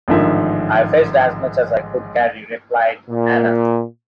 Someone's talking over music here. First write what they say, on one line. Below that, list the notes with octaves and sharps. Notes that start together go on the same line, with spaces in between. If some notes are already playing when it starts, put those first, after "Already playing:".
"I fetched as much as I could carry," replied Anna.
A1 G#2 D3 D#3 F3 E5
A#2